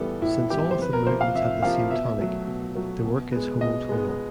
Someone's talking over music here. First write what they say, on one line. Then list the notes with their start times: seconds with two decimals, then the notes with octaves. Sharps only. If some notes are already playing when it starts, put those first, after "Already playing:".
Since all of the movements have the same tonic, the work is homotonal.
Already playing: A2 E3 G3 B3 A4
0.22 A2 E4
0.50 E3 G3 B3 G4
0.71 C5
0.79 F2 B4
0.93 A#4
1.07 C3 F3 A#3 C5
1.21 F5
1.34 F2 E5
1.62 C3 F3 A#3 F5
1.91 B2 E5
2.19 F#3 A3
2.47 B2
2.75 F#3 A3
3.04 B2
3.32 G#3 B3
3.61 B2 D#5
3.89 G#3 B3